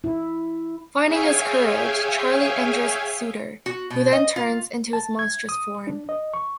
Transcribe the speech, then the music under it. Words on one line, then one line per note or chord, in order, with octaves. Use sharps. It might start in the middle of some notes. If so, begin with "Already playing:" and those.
Finding his courage, Charlie injures Suitor, who then turns into his monstrous form.
E4
G#4 C#5 E5 F5 G5 G#5
F#4
B2
D#5
F4
A5
G#6
D#6
D4
D#5
C#6